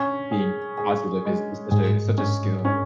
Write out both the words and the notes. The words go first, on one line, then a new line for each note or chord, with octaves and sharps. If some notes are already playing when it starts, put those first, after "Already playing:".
being positive is is such a is such a skill.
Already playing: C#4
G#4
G#4
G#3
G#2 G#4
C#4
C#4